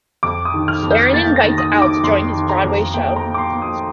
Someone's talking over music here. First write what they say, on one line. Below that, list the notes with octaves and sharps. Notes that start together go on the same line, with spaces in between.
Baron invites Al to join his Broadway show.
F2 D6
D#6
D#3
F6
F2
G6
A#3 A6
A#6
D#3
D#6
D#3
D6
F2 C6
D#3
A#5
F2
A#3 G5
A#5
A#3
D6
C6
A#3
D#6